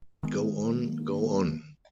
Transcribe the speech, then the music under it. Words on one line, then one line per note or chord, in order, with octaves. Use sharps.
Go on, go on!
D#3 G#3 B3
A#3